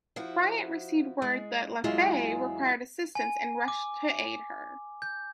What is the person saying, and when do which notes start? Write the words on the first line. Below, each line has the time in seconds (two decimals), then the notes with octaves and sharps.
"Bryant" received word that "Laffey" required assistance and rushed to aid her.
0.16 F3 E4 F#4
1.22 G#3
1.84 E2 F#3 G#3 E4 F4 G#4
3.15 G#5
3.68 D6
5.02 G6